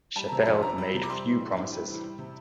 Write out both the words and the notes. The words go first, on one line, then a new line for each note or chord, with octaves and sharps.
Chapel made few promises.
G3 A5
C3 A#5
F2 A5
D4 A#5
G3
C3
D6
G3 C6
E3
A2
D4
G3
E3
G3
C3